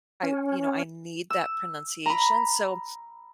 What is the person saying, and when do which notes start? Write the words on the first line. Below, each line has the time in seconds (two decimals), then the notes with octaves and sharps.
I, you know, I need that pronunciation, so
0.23 C#4
1.30 E6
2.06 A#5 B5